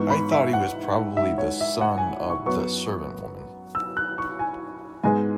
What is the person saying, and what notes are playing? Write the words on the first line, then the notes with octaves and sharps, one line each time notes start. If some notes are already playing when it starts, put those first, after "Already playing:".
I thought he was probably the son of the servant-woman.
Already playing: G#2 E3 B3 C#6
B5
E5
F#5
E5
C#5
E5
F#5
G#5
C#6
F#2 F#3 B3 C#6
E6
F#6
C#6
G#5
G#2 G#3 B3 G#5